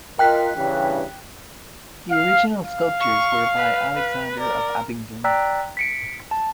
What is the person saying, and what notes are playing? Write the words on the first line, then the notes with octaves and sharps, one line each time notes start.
The original sculptures were by Alexander of Abingdon.
F4 A#4 D#5 G5 F#6 B6
G2 C#3 E3
F5
F5
C#6
B4
B4
A#4 D5
D5 G5 A#5 E6 F#6 B6
B6 C#7 D7
A5